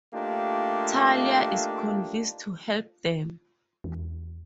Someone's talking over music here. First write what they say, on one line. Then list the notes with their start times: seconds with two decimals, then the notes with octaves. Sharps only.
Talia is convinced to help them.
0.13 A3 A#3 D4 D#4 F4 G4
3.84 E2